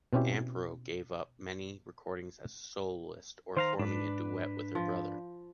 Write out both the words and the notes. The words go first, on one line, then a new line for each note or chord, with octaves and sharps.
Amparo gave up many recordings as a soloist or forming a duet with her brother.
B2 C4 C#4 E4 G4
D#3 C5 F5 A#5 C6
G#2 D4 B4
F3